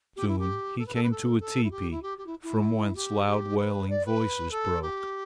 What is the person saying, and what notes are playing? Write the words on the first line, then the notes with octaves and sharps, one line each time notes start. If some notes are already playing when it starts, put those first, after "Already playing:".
Soon he came to a teepee from whence loud wailing voices broke.
G4
E4
G4
A4
B4
A4
B4
A4
A4
E4
G4
E4
G4
G4
E4
E4
G4
G4
B4
D5
B4
A4
G4